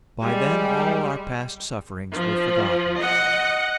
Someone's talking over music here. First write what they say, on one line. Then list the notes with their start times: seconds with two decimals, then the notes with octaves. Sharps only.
By then all our past sufferings were forgotten.
0.23 G3 G#3
2.16 F3
2.98 D#5 F#5